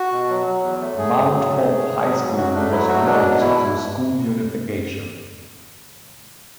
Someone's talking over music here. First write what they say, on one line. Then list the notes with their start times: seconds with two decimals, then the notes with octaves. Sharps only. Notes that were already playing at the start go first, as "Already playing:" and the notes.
Mount Hope High School was closed through school unification.
Already playing: F#4
0.12 B2
0.29 F#3
0.46 F#3
0.63 E2
0.81 A3
0.98 A3 G#4
1.16 F#3
1.33 F#3
1.50 A3
1.67 G#2 G#4
1.85 G#2
2.02 F#3
2.20 G#2
2.37 G#2 F#4
2.54 A3 D4
2.71 F#3 E4
2.88 G#2 F#4
3.06 B2 D4
3.23 B2
3.40 E2 E4